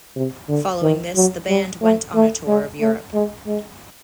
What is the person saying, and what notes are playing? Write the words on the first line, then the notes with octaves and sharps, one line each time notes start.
Following this, the band went on a tour of Europe.
C3
D3
D#3
F#3
G3
A3
A3
G#3
A3
G#3
G#3